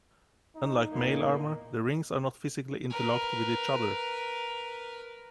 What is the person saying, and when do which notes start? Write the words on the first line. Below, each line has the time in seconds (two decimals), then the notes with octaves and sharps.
Unlike mail armour, the rings are not physically interlocked with each other.
0.56 D#4
0.89 E2 A#2 A#3
2.90 A#4 B4